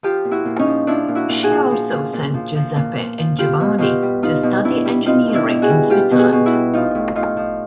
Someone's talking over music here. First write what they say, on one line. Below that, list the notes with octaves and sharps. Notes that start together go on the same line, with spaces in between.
She also sent Giuseppe and Giovanni to study Engineering in Switzerland.
F3 F4 G4
A#2
E4 F#4
A#2
C#4 D#4
F3
F3 D4 E4
A#2
E4 F#4
A#2
F#4 G#4
F3
F3
A#2
A#2
F3
F3
A#2
A#2
F3
G3 F4 G4
B2
B2 F4 G4
G3
G3 D#4 F4
B2
B2 D4 E4
G3
G3 D#4 F4
B2
D4 E4
B2
F#4 G#4
G3
G3 F4 G4
B2
F#4 G#4
B2
E4 F#4
G3
F3 D#4 F4
A2
A2 D#4 F4
F3